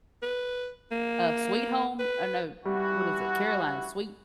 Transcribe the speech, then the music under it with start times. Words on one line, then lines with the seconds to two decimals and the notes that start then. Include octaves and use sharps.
Uh, Sweet Home oh, no, uh, what is it? Carolina Sweet
0.23 B4
0.92 A#3
1.99 B4
2.65 E3 G3 E4 F#4